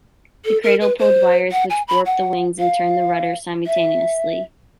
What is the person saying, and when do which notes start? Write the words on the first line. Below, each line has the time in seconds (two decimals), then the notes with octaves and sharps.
The cradle pulled wires which warped the wings and turned the rudder simultaneously.
0.45 A4
0.63 A#4
0.81 B4
0.99 C5
1.52 F#5
1.70 G#5
1.88 B5
2.06 F#5
2.59 F5
3.66 E5